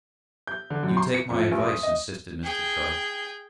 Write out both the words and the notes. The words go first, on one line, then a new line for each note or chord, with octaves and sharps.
"You take my advice," insisted Mr. Sharp.
G6
D3
F#2
C6
C#7
F2
A1
D#6
D#5
G#4 G5